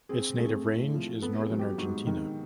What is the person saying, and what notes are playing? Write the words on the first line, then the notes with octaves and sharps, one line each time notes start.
Its native range is northern Argentina.
C4 G#4
A3 G#4
A2
F3
B3 A4
G#4
F#3
G4
G#2 F#4
D#3